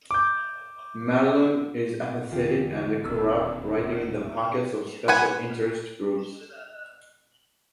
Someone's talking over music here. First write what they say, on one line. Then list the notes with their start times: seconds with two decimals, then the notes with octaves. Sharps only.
Marlon is apathetic and corrupt, riding in the pockets of special interest groups.
0.11 D6 G6
2.32 E2 D3 F4 F5 G5
3.06 E1 D#2 B3 C#4 E4 G#4 E6
5.08 B4 F#5 G#5